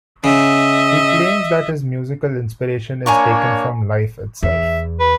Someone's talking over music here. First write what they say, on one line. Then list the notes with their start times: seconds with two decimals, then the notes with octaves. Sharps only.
He claims that his musical inspiration is taken from life itself.
0.24 C#3 D#5 E5
3.06 A#3 D4 C#5 G#5 A#5 C#6
4.43 E2 E5
5.00 B4